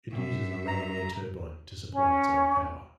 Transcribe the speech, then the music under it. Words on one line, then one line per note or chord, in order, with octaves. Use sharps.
It uses a ram air turbine to supply its own power.
F#2 E5
A#5
C#4